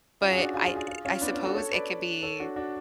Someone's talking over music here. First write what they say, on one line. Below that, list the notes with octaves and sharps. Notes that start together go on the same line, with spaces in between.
But I I suppose it could be
C#4 F4
G#4
D4 F#4
F4 G#4
F4 G#4
F4 G#4
F4 G#4
C#4 F4
B3 D4
C#4
F#4 A4
A4 C#5
B4 D5
A4 C#5
D4 F#4
D4 F#4